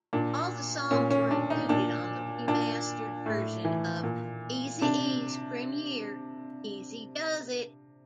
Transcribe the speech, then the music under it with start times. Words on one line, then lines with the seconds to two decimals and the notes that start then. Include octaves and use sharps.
All the songs were included on the remastered version of Eazy-E's premiere, "Eazy-Duz-It".
0.13 A#2 D4
0.91 A#2 C#4
1.11 C#4
1.31 D4
1.50 D#4
1.69 A#2 D4
2.48 A#2 D4
3.26 A2
3.65 E3
4.04 A#2
4.82 C3 D4